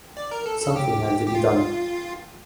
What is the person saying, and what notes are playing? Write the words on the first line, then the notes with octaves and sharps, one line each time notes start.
Something had to be done.
D5
A#4
A4
A4
G4
G4
F4